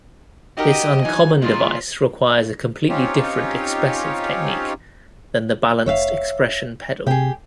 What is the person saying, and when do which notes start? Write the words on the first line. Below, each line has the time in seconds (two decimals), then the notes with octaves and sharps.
This uncommon device requires a completely different expressive technique than the balanced expression pedal.
0.58 D#4 F#4 G4 A#4 D#5
1.05 E3 F#3 D#4 G#5
1.42 A#2 E3 G#3 F4
2.89 C4 C#4 D#4 F4 G4 C#5
5.86 F1 C#5 E5 F5
7.07 C3 G4 G#4